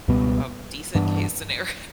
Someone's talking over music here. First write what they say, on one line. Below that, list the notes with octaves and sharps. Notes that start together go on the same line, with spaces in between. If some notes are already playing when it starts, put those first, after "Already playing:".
a decent case scenario
C#2 B2 G3 B3
G2 E3 B3 D4